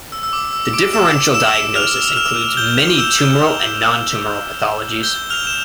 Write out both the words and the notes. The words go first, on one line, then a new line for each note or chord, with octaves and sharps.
The differential diagnosis includes many tumoral and nontumoral pathologies.
E6
E6
D6
E6
D6 D7
E6 E7
E6 E7
F6 F7
F6 F7
G6 G7
F6 F7
E6 E7
F7
G6 G7
G6 G7
F6 F7
E7